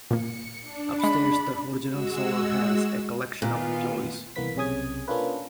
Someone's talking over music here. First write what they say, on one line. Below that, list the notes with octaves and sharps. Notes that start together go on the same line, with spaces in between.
Upstairs the original solar has a collection of toys.
A#2 A#3 C#7
D4
G#3 B5 C#7
G#3 F#4 E6
A#2 D#3 B3 F4
C2 E3 A#3 B3 B4 B6
B1 C3 C#4 G#4 D#6 G#6
A#3 C#4 D4 F4 A4 B4